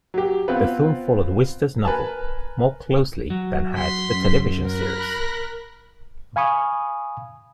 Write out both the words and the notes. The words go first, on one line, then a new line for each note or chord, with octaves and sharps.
The film followed Wister's novel more closely than had the television series.
F#3 G4
B3 C4 F4 B4
A#4 B4 G#5 A5
F#3
C6 B6
F#2
A#4 B5 F#6 A#6
F5 G#5 B5 C#6 D#6